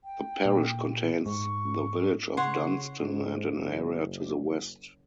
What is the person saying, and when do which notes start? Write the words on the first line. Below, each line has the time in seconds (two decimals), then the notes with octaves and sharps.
The parish contains the village of Dunston and an area to the west.
0.04 G5
0.45 A#2
1.26 G#2 C#6
2.37 C#3 C#5 F#5 C6
3.00 G#2
3.56 F#1